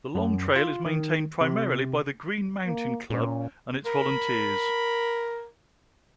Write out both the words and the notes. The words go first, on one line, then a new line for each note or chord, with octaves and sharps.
The Long Trail is maintained primarily by the Green Mountain Club and its volunteers.
F#2
F4
D#3
C3
A#3
A#2 C#4
A#4 B5